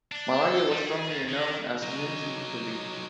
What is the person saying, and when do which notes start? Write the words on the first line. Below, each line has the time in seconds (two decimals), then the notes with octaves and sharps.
Malaya was formerly known as "Munting Tubig".
0.12 D4
0.42 A4
0.70 G3
0.86 G#4
1.10 D#2
1.28 D#3
1.82 F#3 D#4